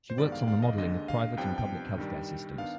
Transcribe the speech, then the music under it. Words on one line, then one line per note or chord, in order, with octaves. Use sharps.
She works on the modelling of private and public healthcare systems.
C5
G1 G2 D#3 G#3 B3 D5
F5
F5
D#5
D#2 D3 G#3 D4 D#5
F5
C2 C3 F3 B3 D4 G5
G5
G2 D#3 G3
D#3 B3 D4 F5